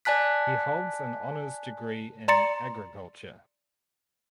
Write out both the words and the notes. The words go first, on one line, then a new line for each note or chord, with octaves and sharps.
He holds an honours degree in agriculture.
D5 G#5 A5 F#6 B6
D5 A#5 C6 A6 C#7